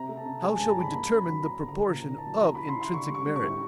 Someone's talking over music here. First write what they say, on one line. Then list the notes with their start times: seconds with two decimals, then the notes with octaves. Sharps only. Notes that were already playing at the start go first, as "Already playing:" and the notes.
How shall we determine the proportion of intrinsick merit?
Already playing: C3 A#5
0.09 A3
0.17 A5
0.26 C3
0.43 G#3 G#5
0.56 G2 A5
0.68 A#5
0.76 E3 B5
0.93 A#3 B5
1.10 C#4
1.17 B5
1.27 F#3
1.43 A#3 A#5
1.59 D3
1.69 A#5
1.76 D3
1.92 A#2 A#5
2.10 E4
2.18 A5
2.27 F#3
2.43 E4 A#5
2.55 E4 B5
2.69 C6
2.76 E4
2.81 C6
2.93 D3 C#6
3.09 G3
3.15 C#6
3.26 G3
3.36 C#6
3.44 A2